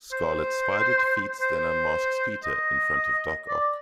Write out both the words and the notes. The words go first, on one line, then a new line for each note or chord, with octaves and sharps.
Scarlet Spider defeats then unmasks Peter in front of Doc Ock.
C5
C5
D#5
D5